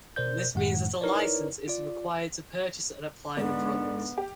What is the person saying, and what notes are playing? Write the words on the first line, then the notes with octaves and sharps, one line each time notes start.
This means that a license is required to purchase and apply the product.
B2 A#4 C5 D5 G6
F#2 A2 D#3 G#3 F#5
D#4 E4 A#4 B4 C#5 D5
F4 D5
G#2 D3 B3 D4
G4